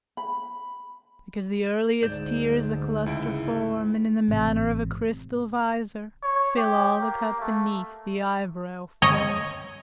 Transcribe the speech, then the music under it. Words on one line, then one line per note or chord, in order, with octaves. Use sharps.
Because the earliest tears a cluster form, And, in the manner of a crystal visor, Fill all the cup beneath the eyebrow full.
B5
D2 G#2 D3 D5 G6 E7
C#2 E4 D7
A1 G#2 C3
C#5
G4
A#3
A3
C#5 D#5